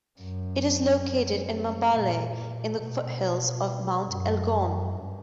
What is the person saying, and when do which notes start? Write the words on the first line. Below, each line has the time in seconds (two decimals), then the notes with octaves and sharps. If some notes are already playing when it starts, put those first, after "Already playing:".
It is located in Mbale in the foothills of Mount Elgon.
0.20 F#2
1.91 A#2
2.78 B2
4.06 F#2
4.92 G2